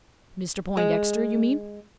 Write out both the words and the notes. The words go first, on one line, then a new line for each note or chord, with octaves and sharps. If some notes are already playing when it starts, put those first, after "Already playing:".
"Mr Poindexter, you mean?"
G#3